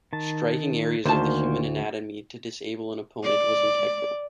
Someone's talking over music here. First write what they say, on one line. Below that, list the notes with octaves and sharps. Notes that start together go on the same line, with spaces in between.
Striking areas of the human anatomy to disable an opponent was integral.
D#3 A5
D2 D#3 A#3 C5 A5
D5